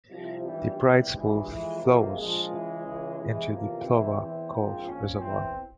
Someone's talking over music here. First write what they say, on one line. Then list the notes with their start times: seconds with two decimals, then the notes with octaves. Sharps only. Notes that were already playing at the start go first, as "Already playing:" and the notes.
The Bride's Pool flows into the Plover Cove Reservoir.
0.09 C2 C3 F3
0.43 G#1 G2 E3 G3
0.77 E2 C3 E3 G3
1.11 G#1 G2 E3 G#3
1.45 F2 E3
1.79 F2 C3 F3 A#3
2.13 A#1 A#2 F3 G#3
2.48 C#2 C#3 E3
2.82 C#2 C#3 E3
3.15 E2 C3 E3 G#3
3.50 E2 C3 F3 A#3
3.83 C2 C3 E3 C4
4.18 E2 E3 C4
4.51 A#1 G#2 F3
4.86 A#1 A#2 F3 C#4
5.19 E2 E3 C4